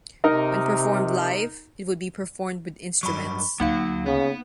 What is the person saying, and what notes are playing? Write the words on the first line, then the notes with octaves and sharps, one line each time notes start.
When performed live, it would be performed with instruments.
C3 D#4 A#4 D#5
G2 F#3 B5 C#6
D2 F#3 A#3 D#4 F5
C#3 B3